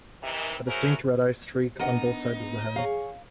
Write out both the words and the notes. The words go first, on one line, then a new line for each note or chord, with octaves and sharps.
A distinct red eye streak on both sides of the head.
C3 D#3 E3
C#4 E4 F#4 G#4 A#4 C5
B3 D4 D#4 A#4 D#5 F#5
G#4 C#5 F5